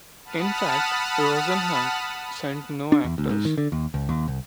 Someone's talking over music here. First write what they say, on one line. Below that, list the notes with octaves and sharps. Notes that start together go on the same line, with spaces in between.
In fact, Rosenhan sent no actors.
F#5 A5 B5 D#6 F6
D4
E2
D2
G#2
D#3
D3
D#2
C#2
D#2
C2